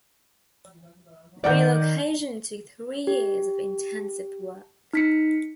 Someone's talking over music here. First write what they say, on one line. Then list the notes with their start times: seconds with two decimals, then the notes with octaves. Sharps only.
The relocation took three years of intensive work.
1.44 D#3 D5 F#5 G6
3.07 G4
4.93 D#4 B6 C#7